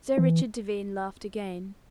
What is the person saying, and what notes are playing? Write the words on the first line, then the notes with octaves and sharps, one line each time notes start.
Sir Richard Devine laughed again.
E3